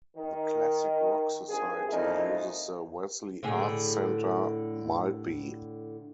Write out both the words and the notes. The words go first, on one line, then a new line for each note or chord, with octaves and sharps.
The Classic Rock Society uses the Wesley Arts Centre, Maltby.
D#3
G#1 G2 G#4
F2 A#2 G#3 D#4 E4
A2 D3 G#4